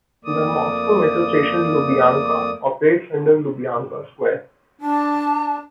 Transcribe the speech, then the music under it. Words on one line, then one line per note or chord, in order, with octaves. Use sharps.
The Moscow Metro station Lubyanka operates under Lubyanka Square.
F2 A3 A#3 D5 D#6
D4 A5